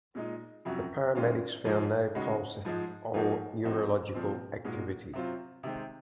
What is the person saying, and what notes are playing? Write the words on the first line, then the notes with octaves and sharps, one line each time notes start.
The paramedics found no pulse or neurological activity.
A#2 G#3 D#4
F2 C3 F#3 C#4 F#4
F#2 D#3 G#3 C#4 F4
G#2 F3 G#3
C#3 G#3 D#4 F#4
G#2 F3 G#3
G#2 F3 A#3 D#4 F#4
F3 C4 D#4 F#4
A#2 F3 C4
A#2 G#3 D#4 F#4
C3 F#3 C4 F4
C3 D#3 G#3 C4